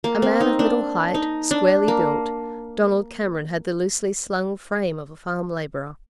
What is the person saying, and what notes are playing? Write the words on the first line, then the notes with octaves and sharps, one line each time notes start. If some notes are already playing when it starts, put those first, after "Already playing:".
A man of middle height, squarely built, Donald Cameron had the loosely slung frame of a farm labourer.
A#3
C4
D#4
D4
D#4
D4
A#3